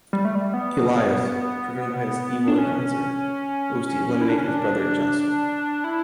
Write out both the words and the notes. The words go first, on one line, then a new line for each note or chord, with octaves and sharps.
Elias, driven by his evil advisor, moves to eliminate his brother Josua.
G3
A3
G3
B3
D4
C#4
E4
D4
C#4
D4
E4